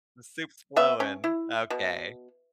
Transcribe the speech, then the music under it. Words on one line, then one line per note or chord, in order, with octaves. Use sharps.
"The soup's flowing." Okay.
B3 E5
C#4
E4
B2